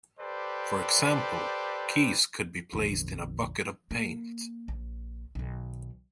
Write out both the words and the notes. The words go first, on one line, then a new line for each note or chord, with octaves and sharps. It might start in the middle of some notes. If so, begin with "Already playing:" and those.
For example, keys could be placed in a bucket of paint.
G4 A4 B4 C5 D5
A1 E2 A#2 D3 F3
A#3
A#1
B1 D#3